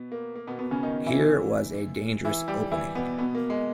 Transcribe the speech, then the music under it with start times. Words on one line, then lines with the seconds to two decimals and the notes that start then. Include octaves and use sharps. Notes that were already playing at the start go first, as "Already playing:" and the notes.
Here was a dangerous opening.
Already playing: B2 B3
0.12 A#3
0.35 A#3
0.47 B2 B3
0.59 B2 B3
0.71 C#3 C#4
0.83 D#3 D#4
1.06 E3 E4
2.25 E3 E4
2.48 G3 G4
2.71 E3 E4
2.95 B2 B3
3.18 B2 B3
3.35 A#3
3.50 G#3